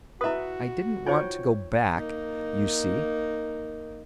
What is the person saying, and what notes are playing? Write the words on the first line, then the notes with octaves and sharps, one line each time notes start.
I didn't want to go back, you see....
E4 F#4 B4 E5 D#6
D#4 F4 C5 C#5 G5
A#3 D#4